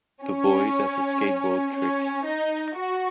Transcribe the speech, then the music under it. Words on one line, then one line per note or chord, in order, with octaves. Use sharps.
The boy does a skateboard trick.
C#4
C#4
D#4
F#4